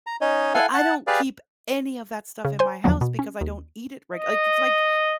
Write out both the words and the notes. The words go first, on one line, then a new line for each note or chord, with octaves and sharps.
But I don't keep any of that stuff in my house because I don't eat it, right, like, it's like,
A#5
C#4 D#4 C#5 D#5
E4 A4 F5 F#5 G#5
F#5 A5
G4 G#4 B4 D5 F5
C#3
C5 G#5 C6
E2 D3 F3 F#3 B3
B2
C#4
D#2
D#5